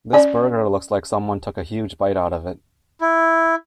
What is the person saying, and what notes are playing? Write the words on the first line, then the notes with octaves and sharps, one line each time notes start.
This burger looks like someone took a huge bite out of it.
C#4 D5
E4